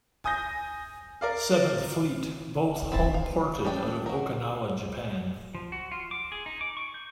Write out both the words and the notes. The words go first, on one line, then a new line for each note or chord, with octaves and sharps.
Seventh Fleet, both homeported out of Okinawa, Japan.
G#5 D#6 G6 A#6
A#4 D5 F5
C4 E4 A5
F5
C#4 D4 D5 G5
F#4 A#4
F3
F#4
F4
D6
G#4
D#4
D6
C#6
G6